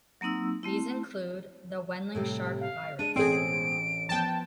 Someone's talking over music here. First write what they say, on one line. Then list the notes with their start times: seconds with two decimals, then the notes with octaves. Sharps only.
These include the Wenling shark virus.
0.21 F#3 A#3 C4 D#4 E6
0.63 A3 C4 E4
2.15 A2 C3 G3
2.61 F5
2.99 G#3 D4 D#7
3.16 A1 B2 G#3 C4 G#4 A4 D7
4.09 F3 B3 G5 A5